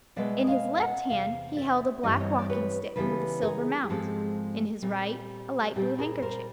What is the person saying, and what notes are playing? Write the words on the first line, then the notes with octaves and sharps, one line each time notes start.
In his left hand he held a black walking-stick with a silver mount, in his right a light blue handkerchief.
B2 G#3 B3 D5 E5
D#5 F5
E5 F#5
E2 C3 F5
D5 E5
G2 E3 G3 C4 D#5
E5
C#5 D#5
D5
B4 C#5
C#3 E3 G3 B3 A4 B4
G#4 A#4
G#4
G#2 F3 G#3 C4 G4 A4
A#2 G3 C4
A#2 G3 C4 G4 A4
G#4 A#4
A#4 C5